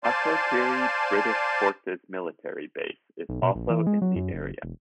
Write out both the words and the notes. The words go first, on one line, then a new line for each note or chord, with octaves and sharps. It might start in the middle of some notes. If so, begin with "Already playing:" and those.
Akrotiri British Forces Military Base is also in the area.
C5 D5 F5 G#5 A5 C6
B1
B2
A#1
E3
G#3
F#3
F#2
F#1
E1